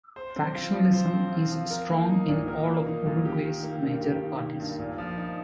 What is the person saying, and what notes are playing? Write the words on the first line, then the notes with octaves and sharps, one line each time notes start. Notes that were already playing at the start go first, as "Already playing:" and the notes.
Factionalism is strong in all of Uruguay's major parties.
C5
C4
F4
F3
C5
C4
F4
F3
A#4
A#3
D#4
A#2
A#4
A#3
D#4
A#2
G4
D#3
A#3
G2
G4
D#3
A#3
G2
A#2
F3
D#4